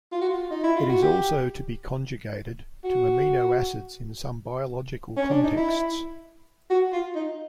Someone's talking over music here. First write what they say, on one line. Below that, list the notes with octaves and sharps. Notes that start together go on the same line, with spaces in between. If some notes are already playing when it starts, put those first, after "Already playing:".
It is also be conjugated to amino acids in some biological contexts.
F4
F#4
F4
D#4
E4
F4
F#4
G4
F#4
C#4
D4
D#4
E4
F#4
F4
D#4